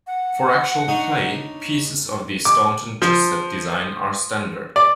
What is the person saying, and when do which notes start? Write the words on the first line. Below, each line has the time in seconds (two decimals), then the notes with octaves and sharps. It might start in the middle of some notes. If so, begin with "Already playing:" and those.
For actual play, pieces of the Staunton chess set design are standard.
0.07 F#5
0.88 D4 D#4 C#5
2.45 D6
3.02 F3
4.76 D5